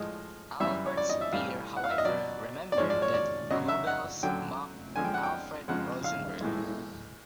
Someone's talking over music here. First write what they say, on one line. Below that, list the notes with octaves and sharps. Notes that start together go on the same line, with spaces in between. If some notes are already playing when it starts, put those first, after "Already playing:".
Albert Speer however remembered that Goebbels mocked Alfred Rosenberg.
Already playing: A2 F3 G#3 D#5
F#2 C#3 E3 G3 E5
C#5
D5
D#5
E5
A2 E3 G3 F5
F#5
F5
E5
D#5
B2 F#3 D5
D5
G#2 F3 G#3 C#5
D5
C#5
D5
F#2 C#3 F#3 D#5
E5
F#5
F#2 D3 F#3 G5
F#2 D3 F3 G#3 G#5
G5
F#5
G5
F2 C#3 F3 G#3 F#5
F5
A2 E3 G#3